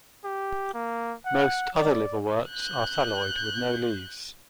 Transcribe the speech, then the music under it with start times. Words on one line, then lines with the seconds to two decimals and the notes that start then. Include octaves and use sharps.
Most other liverworts are thalloid, with no leaves.
0.25 G4
0.74 A#3
1.26 F#5
1.76 D5
2.50 F#6 G6